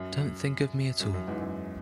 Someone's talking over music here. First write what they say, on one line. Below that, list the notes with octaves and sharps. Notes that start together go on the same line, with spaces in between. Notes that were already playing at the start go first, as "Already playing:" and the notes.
Don't think of me at all.
Already playing: F#2
F#2
F#2
E2 G#2
F#2